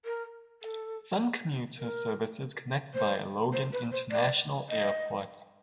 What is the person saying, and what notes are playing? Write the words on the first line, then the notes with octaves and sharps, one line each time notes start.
Some commuter services connect via Logan International Airport.
A#4
A4
A#4
C5
C5
B4
C5
D5
D#5